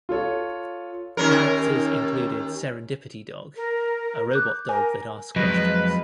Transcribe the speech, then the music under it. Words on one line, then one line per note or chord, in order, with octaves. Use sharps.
Characters included Serendipity Dog, a robot dog that asked questions.
F4 A4 C#5
D#2 C#4 A#4
A#4
D6 F#6 G6
A#4 G#5
F2 F#3 G#3 B4 D#5